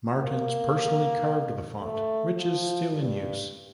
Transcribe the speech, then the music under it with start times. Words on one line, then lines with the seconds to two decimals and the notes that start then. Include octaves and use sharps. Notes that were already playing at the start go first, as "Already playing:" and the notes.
Martens personally carved the font, which is still in use.
0.18 A#3
1.82 A3
2.37 F3
2.93 G2